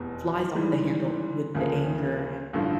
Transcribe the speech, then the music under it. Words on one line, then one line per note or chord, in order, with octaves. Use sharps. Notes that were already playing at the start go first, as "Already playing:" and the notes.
flies off the handle with the anger. And,
Already playing: F1 E2 B2
G#2 E3 G3
D2 C#3 F3 A#3
A1 G2 D3 F3